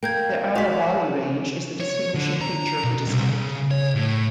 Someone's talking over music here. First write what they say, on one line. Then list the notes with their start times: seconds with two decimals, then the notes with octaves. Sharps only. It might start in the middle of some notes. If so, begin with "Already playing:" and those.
The Aravalli Range is the distinguishing feature of the district.
0.03 A#3 G5 G6 G#6
0.55 F#4 D5 B6 F7
1.80 C#5
2.14 D3
2.41 A#5
2.84 B2
3.07 C2
3.30 C#3
3.71 C#5
3.95 A2